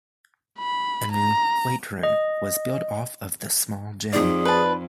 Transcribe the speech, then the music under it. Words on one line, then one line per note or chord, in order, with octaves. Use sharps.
A new weight room was built off of the small gym.
B5
A#5
D#5
F2 D#4 G#4 D5
B4 A5